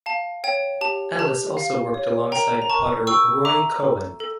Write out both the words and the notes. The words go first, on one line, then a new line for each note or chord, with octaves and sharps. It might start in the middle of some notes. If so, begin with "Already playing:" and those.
Ellis also worked alongside potter Roy Cowan.
F5 A5
C#5 G5
G4 A5
G4 A5
F5
C#5
A#4 G5 A#5
A#5
A#4 A5 C#6
G5 C#6 E6
E5 A#5 D6
A4
A4